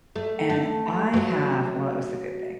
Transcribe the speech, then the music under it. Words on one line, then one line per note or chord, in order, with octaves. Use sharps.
and I have Well, it was a good thing.
A3
A3
E3
F#3